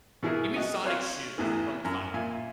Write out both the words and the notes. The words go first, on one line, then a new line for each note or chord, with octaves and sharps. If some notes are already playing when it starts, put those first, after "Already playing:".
Give me Sonic shoes from the Sonic movies.
B2 E3 E4 G#4 A#4
F#4 D#5
C4 F#4 C5 C#5 F5
A1 E2 E3
F#2 A#5
A#2 E5 G#5